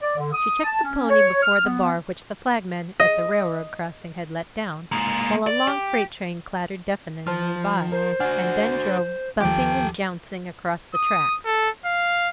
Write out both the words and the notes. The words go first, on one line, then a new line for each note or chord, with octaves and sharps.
She checked the pony before the bar which the flagman at the railroad crossing had let down, while a long freight train clattered deafeningly by, and then drove bumping and jouncing across the tracks.
D5
D3
D#6
A5
C#4
C#5
F6
B3
D#5
G#3 A#3
D5
G4
F3 C5 A5 F6
A#4 C5
D4 F#4 F#5 G#5 F6
D#2 F3 G4 A4 G5 D6
D#6
A4
F5